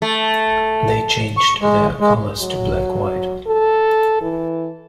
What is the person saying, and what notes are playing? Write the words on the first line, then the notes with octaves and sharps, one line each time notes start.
They changed their colours to black-white.
A3
C#6
G#3
G#3
F#3
A4
E3